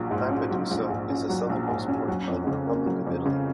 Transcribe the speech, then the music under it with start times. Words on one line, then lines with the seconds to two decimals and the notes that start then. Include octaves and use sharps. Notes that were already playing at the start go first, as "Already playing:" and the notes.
Lampedusa is the southernmost point of the Republic of Italy.
Already playing: A#1 F#3
0.11 G#2
0.30 C#4
0.50 F#3
0.71 A#1
0.90 G#2
1.10 C#4
1.29 F#3
1.49 A#1
1.69 G#2
1.88 C#4
2.08 F#3
2.28 F2
2.47 C#3
2.67 A#3
2.86 F#3
3.07 F2
3.26 C#3